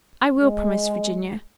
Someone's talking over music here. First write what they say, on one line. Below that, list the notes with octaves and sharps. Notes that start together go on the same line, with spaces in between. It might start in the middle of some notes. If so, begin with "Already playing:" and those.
"I will," promised Virginia.
G#3